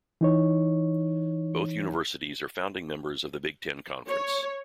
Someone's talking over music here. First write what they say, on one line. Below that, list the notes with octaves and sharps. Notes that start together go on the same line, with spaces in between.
Both universities are founding members of the Big Ten Conference.
E3 D#4 C#5
C#5